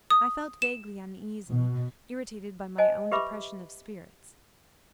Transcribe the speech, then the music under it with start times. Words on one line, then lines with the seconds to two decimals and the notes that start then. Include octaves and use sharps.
I felt vaguely uneasy; irritated by my own depression of spirits.
0.10 D#6
0.62 E7
1.49 B2
2.78 C5 D#5 G#5 A5
3.12 G4 B4 E5 B5 D6